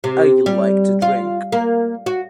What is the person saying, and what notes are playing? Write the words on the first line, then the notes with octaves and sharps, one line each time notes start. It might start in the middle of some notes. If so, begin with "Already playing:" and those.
I like to drink.
C3
G3
F4
A#3
F#4